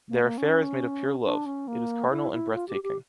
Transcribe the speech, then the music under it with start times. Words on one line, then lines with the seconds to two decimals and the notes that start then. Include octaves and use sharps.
Their affaire is made of pure love, it is carnal and breathtaking.
0.09 A#3
0.23 A#3
0.38 C#4
1.24 D4
1.46 C#4
1.68 A#3
2.11 E4
2.32 E4
2.54 F4
2.69 G4
2.83 G4